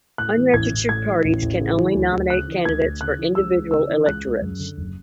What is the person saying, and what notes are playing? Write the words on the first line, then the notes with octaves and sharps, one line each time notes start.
Unregistered parties can only nominate candidates for individual electorates.
A2 F#6
E3
A1 G#6
A1
A2 G#6
E3
A1
A1
C#3
E3
D2
D2
C#3 F#6
E3
D2 G#6
D2
C#3 F#6
E3
C#2 E6
C#2
C#3 E6
E3
C#2 F#6
C#2
F#2
D3
F#1